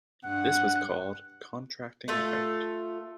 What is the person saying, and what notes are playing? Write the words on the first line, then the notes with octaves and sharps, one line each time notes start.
This was called "contracting out".
G2 F#5 F#6
A3 F4 A4